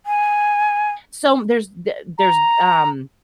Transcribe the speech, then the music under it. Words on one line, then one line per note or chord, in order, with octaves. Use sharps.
som there's the there's, um,
G#5
A#5